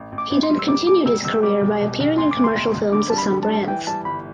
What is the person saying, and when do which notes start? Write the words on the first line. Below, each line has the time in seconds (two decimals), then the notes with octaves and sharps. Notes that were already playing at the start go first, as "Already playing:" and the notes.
He then continued his career by appearing in commercial films of some brands.
Already playing: A1
0.12 A1
0.18 D6
0.31 A1
0.43 C6
0.50 G3
0.59 E6
0.68 E1 D6
0.87 E2 D6
1.06 E1 E6
1.25 E1 E6
1.43 G3 D6
1.61 B1
1.81 B2
2.00 B1
2.18 D2 C6
2.31 D6
2.37 D2
2.44 C6
2.56 E1
2.75 E1
2.93 D3 D6
3.10 G3 A5
3.18 B5
3.30 D3
3.43 A5
3.49 G3
3.68 E3 G5
3.87 G3 A5
4.05 G1 B5